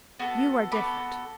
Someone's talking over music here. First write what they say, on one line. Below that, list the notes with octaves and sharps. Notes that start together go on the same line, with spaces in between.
You are different.
B3 F#4 A4
B3 F#4 A4 B5 D6